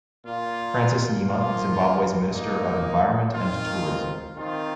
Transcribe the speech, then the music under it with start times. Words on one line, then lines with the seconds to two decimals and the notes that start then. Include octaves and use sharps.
Francis Nhema, Zimbabwe's Minister of Environment and Tourism.
0.24 A#2 A#3 F4
1.27 F3 A#3 F4
2.30 A#2 A#3 D#4
3.32 D#3 C4 F4
4.36 D#3 C4 F4